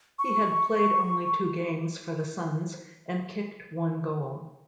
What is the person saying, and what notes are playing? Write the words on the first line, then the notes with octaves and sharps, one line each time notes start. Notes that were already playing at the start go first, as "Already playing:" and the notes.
He had played only two games for the Suns and kicked one goal.
C#6